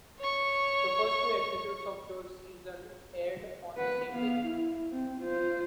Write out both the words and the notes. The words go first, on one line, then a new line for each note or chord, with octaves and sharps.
The first two episodes of the season aired on the same day.
C#5 C#6
B4 F#5
B3 F5
E4
C4
F4 C5